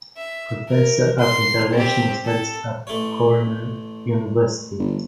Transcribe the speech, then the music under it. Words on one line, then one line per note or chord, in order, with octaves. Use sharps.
Professor of International Studies at Cornell University.
E5
A#4
C6
C4 G4
A4
A1 A3 C#5
G1